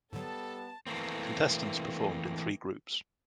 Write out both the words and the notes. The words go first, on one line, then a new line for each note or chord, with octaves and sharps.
Contestants performed in three groups.
G#2 D3 F#3 G3 B3 A4 A5
E3 A3 A#3 C4